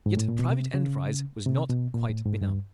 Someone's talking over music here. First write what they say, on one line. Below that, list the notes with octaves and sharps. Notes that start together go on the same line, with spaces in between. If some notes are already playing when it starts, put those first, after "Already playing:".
Yet private enterprise was not quite benumbed.
G#2
A2
A#2
B2
C3
C#3
C3
B2
A#2
A2
G#2
G2